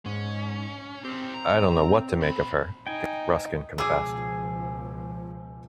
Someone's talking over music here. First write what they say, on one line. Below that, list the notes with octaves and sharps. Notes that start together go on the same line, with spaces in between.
'I don't know what to make of her', Ruskin confessed.
G#2 C#4
C4 G4 A#4
A#5
A#2 B5
D#4 G5 G#5
C#2 B2 F3 G#4 G#5 D6 E6